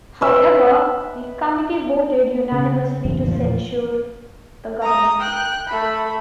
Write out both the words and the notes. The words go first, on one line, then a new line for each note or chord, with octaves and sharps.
However, the committee voted unanimously to censure the governor.
B4 E5
C#3
F#1 E2 G2
E2 A#2 F3
A#5 D#6
G5 F#6
A3 B5